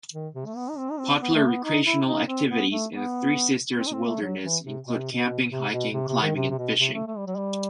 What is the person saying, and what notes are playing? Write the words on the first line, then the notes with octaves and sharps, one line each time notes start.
Popular recreational activities in the Three Sisters Wilderness include camping, hiking, climbing and fishing.
D#3
C3
A3
B3
D#4
C4
D#4
C4
B3
A3
B3
D#4
E4
D#4
C4
B3
A3
B3
C4
D#4
C4
A3
F#3
E3
C3
B2
C3
B2
C3
B2
C3
C3
D#3
C3
C3
B2
C3
A3
A3
G3
F#3
G3